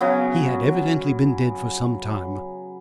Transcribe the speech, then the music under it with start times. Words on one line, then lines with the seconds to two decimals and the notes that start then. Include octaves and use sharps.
He had evidently been dead for some time.
0.01 C#3 F#3 B3